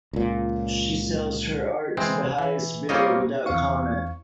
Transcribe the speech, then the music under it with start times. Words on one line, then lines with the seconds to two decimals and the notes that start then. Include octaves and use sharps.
She sells her art to the highest bidder without comment.
0.13 C#2 A#2
1.97 E3 G#3 C4
2.39 E3
2.89 G3 A#3 C4 F4 C#5 D#5
3.46 E2 C4 E4 F5 C#6